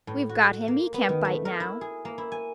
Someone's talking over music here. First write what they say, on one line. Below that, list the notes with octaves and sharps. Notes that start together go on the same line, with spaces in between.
"We've got him; he can't bite now."
A2
F#4
A#3
B3
D#3
A3
A#4
E4
G#4
A#3
E4
G#5